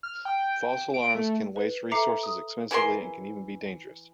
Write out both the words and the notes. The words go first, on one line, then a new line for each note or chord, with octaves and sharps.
False alarms can waste resources expensively and can even be dangerous.
F6
G5
D7
A3
B4
A4 E5 A#5 D6 C7 C#7
D#6
E3 G#4 A#4 C6